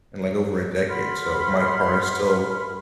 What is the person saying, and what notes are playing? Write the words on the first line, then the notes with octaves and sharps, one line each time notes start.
in, like, over a decade, so my car is still
F#5 B5 C6 F6